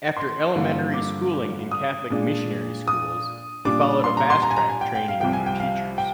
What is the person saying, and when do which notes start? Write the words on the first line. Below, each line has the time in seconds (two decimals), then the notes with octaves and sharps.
After elementary schooling in Catholic missionary schools, he followed a fast-track training for teachers.
0.17 C6
0.56 G2 D3 F3 A#3
0.94 D6
1.71 D#6
2.10 A#2 G#3 D4
2.88 D#6
3.65 A#2 G3 D4 D6
4.04 C6
4.17 A#5
4.30 C6
4.43 A#5
4.51 G#5
4.56 A#5
4.69 G#5
4.81 G5
4.95 G5
5.08 F5
5.20 C2 C3 F3 G5
5.33 G#5
5.46 G5
5.60 F5
5.98 G5